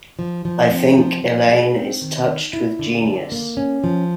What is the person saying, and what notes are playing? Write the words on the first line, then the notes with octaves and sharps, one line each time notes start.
I think Elaine is touched with genius.
F3
F3
C4
F3
F3
G#3
C4
D#3
D#4
E4
D3
D3
A#3
C#4
F3